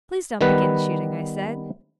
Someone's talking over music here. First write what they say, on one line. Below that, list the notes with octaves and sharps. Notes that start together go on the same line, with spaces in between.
'Please don't begin shooting,' I said.
D#3 G3 B3 B4